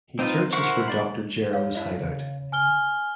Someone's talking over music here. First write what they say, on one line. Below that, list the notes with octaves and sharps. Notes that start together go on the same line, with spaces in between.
He searches for Doctor Gero's hideout.
C4 D#4 F4 B4
E4 A#4 C5 F#5 C#6
D5 B5
C#5 F5
D4 E4 D#5
C#3
G#5 F6 G7